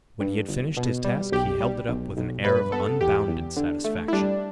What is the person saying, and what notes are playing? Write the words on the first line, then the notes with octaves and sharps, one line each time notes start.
When he had finished his task he held it up with an air of unbounded satisfaction.
G2
G1
B2
G3
B1 G4
G3
B1
B1
G2 B4
B3 A4
E2 G4
E2
D3
A3
E4
G3 D4